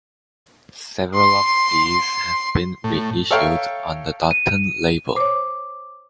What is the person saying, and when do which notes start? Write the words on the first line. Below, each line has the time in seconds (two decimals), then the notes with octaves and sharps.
Several of these have been reissued on the Dutton label.
1.16 C6
2.84 A2
3.30 A4 C#5 E5 F5 G5 A#5
4.31 D#7
5.16 C5 C#5 D6